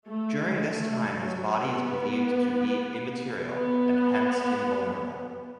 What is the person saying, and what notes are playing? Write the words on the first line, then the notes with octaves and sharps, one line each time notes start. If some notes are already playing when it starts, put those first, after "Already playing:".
During this time his body is believed to be immaterial and hence invulnerable.
A3
G#3
A3
F#3
B3
B3